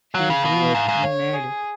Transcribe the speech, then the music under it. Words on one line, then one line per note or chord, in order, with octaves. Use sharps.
She grew up in Made.
F#3 F5
C#3
B2
G#2
G#2
C#5
G#4